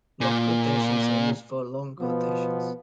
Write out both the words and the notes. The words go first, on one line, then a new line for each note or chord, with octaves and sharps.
Block quotations are used for long quotations.
A#2
B2 F3 B3